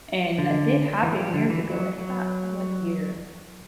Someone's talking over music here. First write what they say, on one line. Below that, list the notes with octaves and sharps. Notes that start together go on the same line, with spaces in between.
and that did happen years ago I forgot what year
D3
E3
A3
G3
D3
E3
F#3
F#3